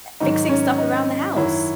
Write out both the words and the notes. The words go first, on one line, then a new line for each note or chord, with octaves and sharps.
e fixing stuff around the house
G#2 D#3 F#3 D#4
C#4
D#4
F#2 D#3 F#3 E4